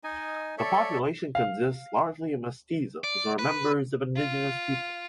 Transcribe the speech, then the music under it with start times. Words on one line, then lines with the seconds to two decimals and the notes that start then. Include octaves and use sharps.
The population consists largely of mestizos or members of indigenous peoples.
0.04 D#4 D#5 G#5
0.58 A4 C#5 D5 E5
1.35 F5
3.04 D5
3.39 B4
4.16 F4